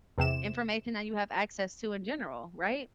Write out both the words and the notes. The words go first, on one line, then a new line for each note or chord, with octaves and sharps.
information that you have access to in general, right?
E2 C3 E7